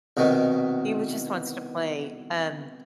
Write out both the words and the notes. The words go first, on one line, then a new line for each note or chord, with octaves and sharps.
He was just wants to play. Um,
C2 B2 D#3